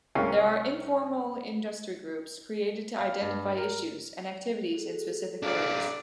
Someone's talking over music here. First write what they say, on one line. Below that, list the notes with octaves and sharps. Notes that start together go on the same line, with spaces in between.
There are informal industry groups created to identify issues and activities in specific areas.
C2 G#3 A#3 C#4 F5 G5
F5
G2
A#4
F#4 G#4 A4
D4 F4 D5